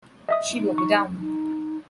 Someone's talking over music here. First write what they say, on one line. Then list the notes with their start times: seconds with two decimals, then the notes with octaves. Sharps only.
She'll be down.
0.29 D#5 E5 D#6
0.56 D#4
0.78 C#6
1.18 D#4